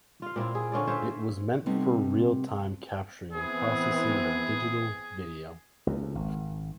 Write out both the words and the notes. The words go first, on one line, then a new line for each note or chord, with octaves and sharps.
It was meant for real time capturing and processing of digital video.
F4 F5
A#2 C4 E4 F4
G#4
D3 C#4 F4 D5
F4 C5 C#5 E5
C3 G3 A3 B3 C4 D#4
E3 B3 C4 G#4
C#2
G#1